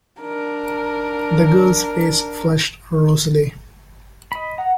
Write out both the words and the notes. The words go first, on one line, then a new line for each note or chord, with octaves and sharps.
The girl's face flushed rosily.
D4 A#4
D#5 B5
F#5 A#5